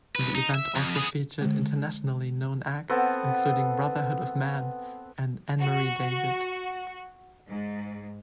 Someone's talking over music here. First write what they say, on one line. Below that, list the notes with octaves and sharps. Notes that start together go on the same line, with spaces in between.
The event also featured internationally known acts including Brotherhood of Man and Anne-Marie David.
C2 B4
D#4
E5
F2
B3 G#4
D3 G#3
B3 C4 A4
F#4
G#2